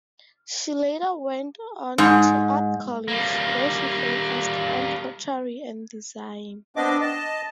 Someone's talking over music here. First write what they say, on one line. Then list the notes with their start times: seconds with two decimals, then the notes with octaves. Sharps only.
She later went on to art college, where she focused on pottery and design.
1.98 G#2
3.08 G3 A#3
6.76 B3 C4 D4 D#5 D6
7.01 D#5 A5